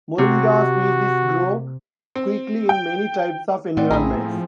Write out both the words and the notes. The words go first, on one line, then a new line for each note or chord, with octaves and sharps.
"Moringa" species grow quickly in many types of environments.
C3 F#4
C4
G5
A2 A3 C4 D5 F#5
A#1 E4 G#4 A#5 B5
F3